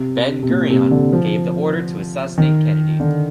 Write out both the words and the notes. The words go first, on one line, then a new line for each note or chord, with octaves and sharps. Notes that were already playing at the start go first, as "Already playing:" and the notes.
Ben-Gurion gave the order to assassinate Kennedy.
Already playing: C3
C3
A#2
C3
D3
F3
D#3
D3